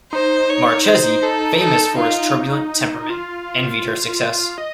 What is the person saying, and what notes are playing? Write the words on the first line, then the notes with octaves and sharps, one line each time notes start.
Marchesi, famous for his turbulent temperament, envied her success.
D#4 C5
C#5
C5
A4
D#4 A4
F4
F4
D#5